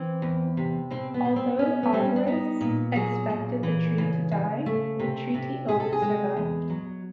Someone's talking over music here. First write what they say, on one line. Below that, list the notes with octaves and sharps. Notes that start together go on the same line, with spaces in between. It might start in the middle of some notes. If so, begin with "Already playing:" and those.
Although arborists expected the tree to die, the Treaty Oak survived.
Already playing: E3 C4
E2
C3
B2 C4
B3
B2
C4
B3 C#4
B3
G3 C4
C#4
D4
B3 D#4
A#2
F#3 G#4
A#2
E3
C#3
C#3
A3
C3
C3
C3 G#4
A4
G#4
G#3
E2
F#3